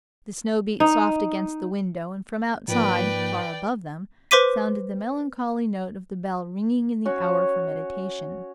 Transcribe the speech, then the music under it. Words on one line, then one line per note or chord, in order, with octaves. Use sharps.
The snow beat soft against the window, and from outside, far above them, sounded the melancholy note of the bell ringing in the hour for meditation.
D#4
G#2 F3 A#3 B4 D5 G5
B4 C5 C6 D6 B6 D#7
C#4 F#4 C#5